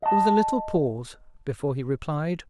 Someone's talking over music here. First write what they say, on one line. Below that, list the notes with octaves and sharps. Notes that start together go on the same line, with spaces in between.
There was a little pause before he replied.
D#5 A5